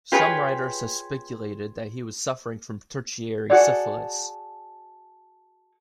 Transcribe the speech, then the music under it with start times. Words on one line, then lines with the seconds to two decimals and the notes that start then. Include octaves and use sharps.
Some writers have speculated that he was suffering from tertiary syphilis.
0.12 F4 G4 G#4 B4 C#5
3.50 F#4 G#4 A4 D5